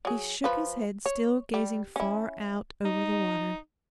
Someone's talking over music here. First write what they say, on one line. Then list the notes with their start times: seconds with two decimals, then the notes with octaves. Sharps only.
He shook his head, still gazing far out over the water.
0.05 F#3 G#4
0.44 F3 B4
1.06 C#5
1.54 G3
1.96 C#4 E4
2.85 D#4